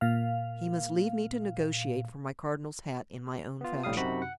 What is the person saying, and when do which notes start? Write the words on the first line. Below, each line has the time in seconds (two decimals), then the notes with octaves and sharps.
"He must leave me to negotiate for my cardinal's hat in my own fashion."
0.01 A#2 F5
3.61 B3 F4
3.83 A#1 A2 G3 F5 D#6
3.97 F#2 C3 C4 D#4 F#4 B5
4.22 F#5